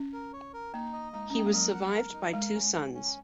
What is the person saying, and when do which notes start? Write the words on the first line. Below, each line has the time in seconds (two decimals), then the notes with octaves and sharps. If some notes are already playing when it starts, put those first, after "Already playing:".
He was survived by two sons.
Already playing: C#4
0.13 A#4
0.33 C#5
0.53 A#4
0.73 A#3 D#4
0.93 D#5
1.13 G#3 D#4
1.30 C#4
1.33 D#5
1.39 A#3
1.46 G#3
1.53 F#3 A#4
1.74 F#5
1.93 A#4
2.13 D#4
2.33 G#3 A#4
2.54 C#4
2.74 C#4
2.94 C#4